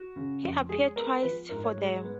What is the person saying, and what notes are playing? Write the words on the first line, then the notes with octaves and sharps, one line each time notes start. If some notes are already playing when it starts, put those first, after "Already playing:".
He appeared twice for them.
Already playing: F#4
C#3
F2
G#3 G#4
B3 A#4
F3 B4
G#2 A#4
C#5
G#3
B3